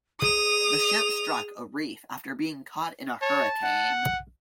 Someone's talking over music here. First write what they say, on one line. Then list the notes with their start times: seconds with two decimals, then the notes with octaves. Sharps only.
The ship struck a reef after being caught in a hurricane.
0.20 G#4 D#6 F7
3.22 C#5 A5
3.63 F#5